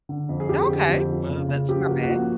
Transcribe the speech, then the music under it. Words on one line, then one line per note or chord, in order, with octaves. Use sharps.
Okay, well, that's not bad
D3
F2
G#4
F2 G4
D3
F2
F3
C#3
C#3
F3 G4
F#4
A#3
F#4
F3